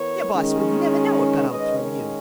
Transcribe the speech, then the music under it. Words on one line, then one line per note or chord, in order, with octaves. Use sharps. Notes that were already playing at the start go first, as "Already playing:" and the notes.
"Your boss would never know it got out through you."
Already playing: E3 B3 A#4 C#5
D#3 G#3 C#4
D#3 G#3 C#4 B4 D#5
A#4 C#5